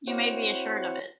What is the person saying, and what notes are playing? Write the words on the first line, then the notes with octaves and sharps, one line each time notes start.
You may be assured of it.
C4 E4 F#4 C5 C#5 F#5